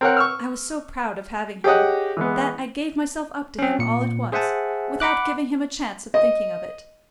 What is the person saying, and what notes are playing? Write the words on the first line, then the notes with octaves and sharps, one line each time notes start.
I was so proud of having him, that I gave myself up to him all at once, without giving him a chance of thinking of it.
C4 A#4 C#5 F#5
C#6 E6 F6
G4 G#4 C#5 D#5 F#5
E3 G#3 B3
C4 C#4
A#2 C#7
G#4 C5 E5 F#5 G#5 A5
F#5 B5 D6 F#6
D#5